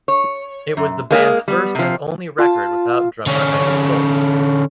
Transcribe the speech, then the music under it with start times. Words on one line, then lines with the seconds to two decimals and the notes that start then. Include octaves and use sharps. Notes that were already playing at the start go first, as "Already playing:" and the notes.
It was the band's first and only record without drummer Evan Sult.
0.08 C#5
0.77 F#2
1.11 G#3 A#3 E4 G#4
1.48 G3 B3
1.75 C3 F3
2.38 F4 A5
3.27 D3 C#4